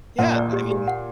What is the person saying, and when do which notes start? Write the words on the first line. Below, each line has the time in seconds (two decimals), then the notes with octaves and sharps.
Yeah, I mean
0.19 A#2 F#5
0.36 D5
0.53 G4
0.71 G4
0.88 F#5